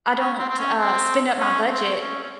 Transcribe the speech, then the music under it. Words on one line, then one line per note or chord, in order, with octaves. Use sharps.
I don't, uh, spend up my budget
C#4
C4
C4
C#4
C4
C#4
C4
C#4
C#4